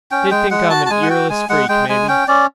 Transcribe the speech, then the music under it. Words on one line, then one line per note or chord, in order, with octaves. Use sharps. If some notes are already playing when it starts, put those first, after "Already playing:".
They think I'm an earless freak, maybe.
C#4 G5
G#3 G5
G#3 F#5
F#4 A5
A5
G#3 G#5
F#5
F#4 G5
G#3 G#5
G#3 F#5
G#3 G5
G#3 G#5
C#4 G5
C#4 D5